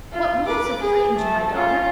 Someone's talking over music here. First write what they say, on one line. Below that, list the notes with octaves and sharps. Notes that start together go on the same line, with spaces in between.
What wolves have frightened you, my daughter?
F4
B4 D6
G#4
A3
C#4 F4